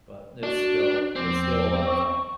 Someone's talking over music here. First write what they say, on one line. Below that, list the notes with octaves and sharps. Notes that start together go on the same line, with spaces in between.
But, it's still it's still a lot of fun.
D4 F#4
E2 F3 C4 D6
C#6